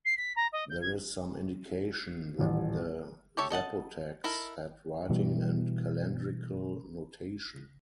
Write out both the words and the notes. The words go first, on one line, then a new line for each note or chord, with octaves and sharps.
There is some indication that the Zapotecs had writing and calendrical notation.
C7
B6
A#5
D#5
G6
G#6
D#1 A1
G4 A4 C#5 E5
A4 D#5 F#5 A5
D#4 E4 A4 A#4
B2 E3 G3